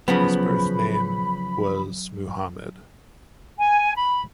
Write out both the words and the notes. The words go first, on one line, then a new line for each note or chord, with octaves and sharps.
His birth name was Muhammad.
C#3 F3 F#3 B3 B5
G#5
B5